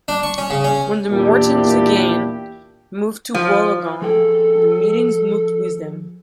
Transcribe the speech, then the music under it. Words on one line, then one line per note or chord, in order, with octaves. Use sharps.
When the Mortons again moved to Wollongong, the meetings moved with them.
D4
C#6
C#4
C#3
C#4
E2 A#2 D4 E4 G4
F3
F3 G#4 A4 G5